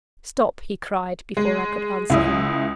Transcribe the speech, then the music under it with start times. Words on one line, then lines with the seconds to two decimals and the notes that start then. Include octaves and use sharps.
"Stop!" he cried, before I could answer him.
1.37 G#3
2.10 C#2 E4 D#6